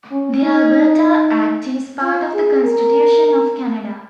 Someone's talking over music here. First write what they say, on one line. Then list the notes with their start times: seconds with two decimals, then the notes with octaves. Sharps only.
The Alberta Act is part of the Constitution of Canada.
0.11 C#4
0.43 D#4
2.02 F4
2.34 G#4
2.65 A#4